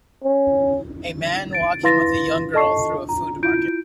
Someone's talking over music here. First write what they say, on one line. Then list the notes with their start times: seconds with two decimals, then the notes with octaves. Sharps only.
A man walking with a young girl through a food market.
0.24 C#4
1.53 A6 D7
1.83 E4 B4 F5 C6 A6 A#6
2.54 A4 D#5 A5 C#6 C7
3.09 A#5
3.42 E4 F4 G6 D7